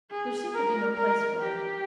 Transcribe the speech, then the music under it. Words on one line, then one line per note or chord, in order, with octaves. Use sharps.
There seemed to be no place for her.
G#4
A#4
A#4
G4